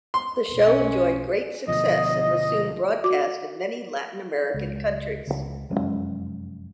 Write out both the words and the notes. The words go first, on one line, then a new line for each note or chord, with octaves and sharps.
The show enjoyed great success and was soon broadcast in many Latin American countries.
C6
B1 F2
C#4
D2 B2 F3 D#5
F#4 D6
C#2
C#2
F1 F#2 G#3 C#4